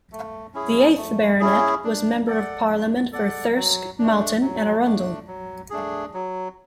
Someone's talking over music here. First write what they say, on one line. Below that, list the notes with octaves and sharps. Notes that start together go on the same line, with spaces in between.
The eighth Baronet was Member of Parliament for Thirsk, Malton and Arundel.
A3
C#4 E4 G#4
A3
C#4 E4 G#4
D4
A4 D5 F#5
D4
A4 D5 F#5
F#3
A3 D4
F#3
A3 D4
F#3
A3 D4 G#4
F#3